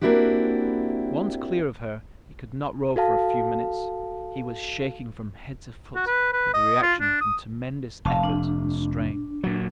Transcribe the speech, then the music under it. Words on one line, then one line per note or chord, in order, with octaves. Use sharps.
Once clear of her he could not row for a few minutes; he was shaking from head to foot with the reaction from tremendous effort and strain.
A#3 C4 D4 E4 F#4 G4
F#4 A4 F5 A5
F#4
B4
B4
D#5
F4
D4
D#6
F1 F5 A5
D4
A#2 F#3